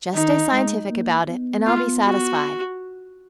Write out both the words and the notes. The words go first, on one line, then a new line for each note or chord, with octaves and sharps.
Just stay scientific about it and I'll be satisfied.
D#3 D#4
G#3
A#3
B3
F4
F#4